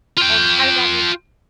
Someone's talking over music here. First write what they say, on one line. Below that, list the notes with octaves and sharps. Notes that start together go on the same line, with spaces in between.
And how did that make
F4 G5